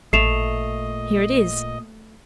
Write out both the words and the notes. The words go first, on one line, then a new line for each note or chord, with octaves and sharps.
"Here it is."
A1 A#2 A3 D#5 C7 E7 F7